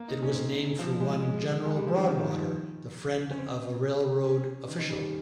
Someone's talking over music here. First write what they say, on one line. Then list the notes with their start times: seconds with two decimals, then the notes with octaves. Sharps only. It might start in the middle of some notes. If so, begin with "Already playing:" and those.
It was named for one General Broadwater, the friend of a railroad official.
Already playing: A#3
0.08 D#4
0.22 C#4
0.35 C4
0.79 F3
1.00 G#3
1.22 G#3
1.65 G#3
1.75 G3
1.87 F3
1.97 D#3
2.08 D#3
2.19 D#3
2.30 F3
3.31 C#4
3.38 C4
4.25 C#4
4.68 D#3
4.79 D#3
4.90 G3